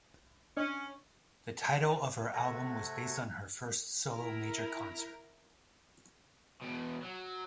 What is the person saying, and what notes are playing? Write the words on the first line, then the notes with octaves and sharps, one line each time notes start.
The title of her album was based on her first solo major concert.
C#4 D4 D#5
C3 A3 A4 F#5 G#6 A#6
E4 A#4 A#5
E2 B2
F#3